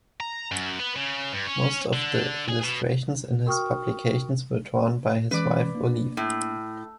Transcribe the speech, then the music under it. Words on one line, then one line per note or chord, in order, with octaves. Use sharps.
Most of the illustrations in his publications were drawn by his wife Olive.
A#5
F#2
B3
C#3
G2
C#4
D3
G#4
B2
F#4 A#4 G5 C#6 D#6 F6
E3 G#3 C#4 B4 D5
A#3 D4
A2